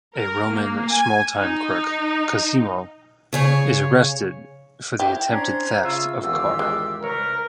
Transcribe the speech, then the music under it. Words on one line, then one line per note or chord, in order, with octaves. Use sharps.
A Roman small-time crook, Cosimo, is arrested for the attempted theft of a car.
A#4
A#3
G#5
D#4
C#3 G#4 C#5
E4 G4
C#4 D4 C5 A#5 G#6
C#3 F4 E5 E6
G#1 E2 D3 F4 G4 E6
G#3
C2 A#4 B4 C#5